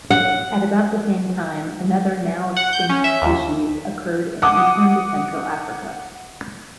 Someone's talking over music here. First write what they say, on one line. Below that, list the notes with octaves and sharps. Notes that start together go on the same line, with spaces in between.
At about the same time, another now-extinct species occurred in eastern to central Africa.
F#5
F#5
G6
C#4
E5
D#2
F#5 D6 D#6